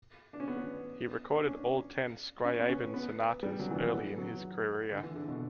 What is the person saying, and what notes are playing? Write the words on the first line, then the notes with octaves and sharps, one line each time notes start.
He recorded all ten Scriabin sonatas early in his career.
D4
C#4
B3
D4
C#4
C#4
B3
C#4
B3
G3
F#3
E3
F#3
B3
A3
F#3
D3
E3
D3
B2